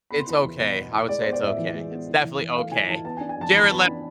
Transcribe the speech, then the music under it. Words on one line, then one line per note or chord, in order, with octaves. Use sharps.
it's okay, I would say it's okay, it's definitely okay. Jared Leto
B3 B5
C6
E4 B5
E2
B2
B3
E4
G#3 D5
B3 C5
D5
A2 E5
E3
G#3
B3
E4
E3
E3
A3 F5
E4 G#5
E3 A5
B3 A5
G#5
D4
G#5
F2 A5
E3 B5
A5
B3 B5
D4